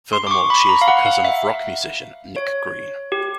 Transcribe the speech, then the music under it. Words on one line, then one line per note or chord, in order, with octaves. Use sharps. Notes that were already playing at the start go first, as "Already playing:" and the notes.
Furthermore, she is the cousin of rock musician Nicke Green.
C6
D6
C#6
B5
A#5
F5
F#5
F5
E5
C#5
G4